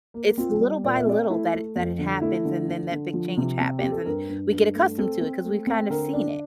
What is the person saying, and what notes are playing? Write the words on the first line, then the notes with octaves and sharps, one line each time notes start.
It's little by little that it that it happens, and then that big change happens, and we get accustomed to it ‘cause we've kind of seen it.
A#3
C4 F4
G3
A#2 D5
E5
C4 D5
A3 E4
A3
F2
D3
A3 E4
D3
D3
D3
F3
C3
C4
C4 G4
A4
G2 A#4
G2
G2
A3
C4 A4
C4
A3
C4
D3 A#4
D4